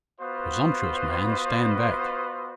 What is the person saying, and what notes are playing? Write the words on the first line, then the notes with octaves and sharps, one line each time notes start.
Presumptuous man, stand back.
B3 F4 F#4 B4 C5 D#5